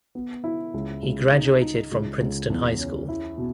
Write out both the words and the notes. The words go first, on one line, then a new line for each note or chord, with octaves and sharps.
He graduated from Princeton High School.
B3
E4
C#2
C#2
D#4
D#4
C#2
C#2
E2
C#4
E4
B2